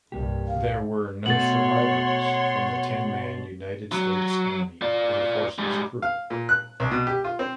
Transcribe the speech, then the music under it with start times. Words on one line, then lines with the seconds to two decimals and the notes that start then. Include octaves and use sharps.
There were no survivors from the ten-man United States Army Air Forces crew.
0.12 C2 G2 G3 A#3 G4
0.47 F5
1.26 B2 A3 C#5 F#5 C6 A6 F#7
3.92 F#3
4.82 F4 D5
5.58 G#2 G3
6.02 F5
6.30 A#2
6.49 F#6
6.80 C2
6.91 B2
7.07 G4
7.24 F4
7.39 C4